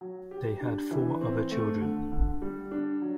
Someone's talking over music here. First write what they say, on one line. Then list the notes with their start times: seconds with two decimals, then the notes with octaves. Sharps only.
They had four other children.
0.01 F#3
0.31 G4
0.61 D4
0.91 E3
1.21 C4
1.51 A3
1.81 D3
2.12 D3
2.42 G3
2.71 D4
3.02 F#3